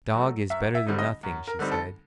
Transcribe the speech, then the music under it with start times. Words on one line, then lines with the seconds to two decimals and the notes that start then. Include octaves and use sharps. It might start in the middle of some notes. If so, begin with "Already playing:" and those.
"A dog is better than nothing," she said.
0.15 F#3 A3
0.50 F#2 E5
0.75 E5
0.86 D3 G3 C4 D#4
0.99 D#5
1.23 F#2
1.48 A#4
1.59 D3 G3 C4 D#4
1.72 A4